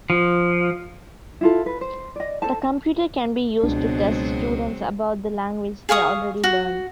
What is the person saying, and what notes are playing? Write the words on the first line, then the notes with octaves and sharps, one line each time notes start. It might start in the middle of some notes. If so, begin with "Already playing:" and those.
The computer can be used to test students about the language they already learn.
F3
E4 F4 A4
B4
C5
D5 D#5
A4 C5 A5
C#2 B2 F#3 G#3 C4 D4
G#4 F5 C#6 D#6
F#4